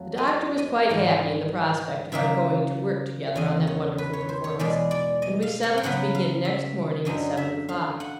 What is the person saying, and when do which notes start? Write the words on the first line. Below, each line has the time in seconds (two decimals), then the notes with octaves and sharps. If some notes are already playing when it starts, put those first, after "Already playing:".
The Doctor was quite happy in the prospect of our going to work together on that wonderful performance, and we settled to begin next morning at seven o'clock.
Already playing: F2 F#3 A3
0.18 D#5
0.28 D5
0.58 D#5
0.89 G#2 E3 G3 B3
2.12 C#3 F#3 A#3 E5
3.36 E2 C#3 E3 D#5
3.67 C#5
3.98 B4
4.13 C#5
4.29 C5
4.44 C#5
4.59 E2 B2 G#3 D5
4.91 D5
5.22 D#5
5.42 F5
5.63 F#5
5.78 G5
5.83 C#3 F#3 B3 F#5
6.15 F5
6.45 E5
7.05 F#2 D3 F#3 A3 D#5
7.37 E5
7.69 F5
8.00 F#5